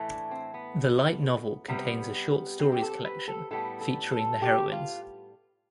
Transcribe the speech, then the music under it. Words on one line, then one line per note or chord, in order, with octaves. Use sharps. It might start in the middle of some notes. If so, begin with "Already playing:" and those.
The light novel contains a short stories collection featuring the heroines.
Already playing: A2 E3 A3
D4
C4
B3
C3 G3 B3
C4
G4
A4
B4
A4
A2 G3 B3 A4
A4
A4
G4
F4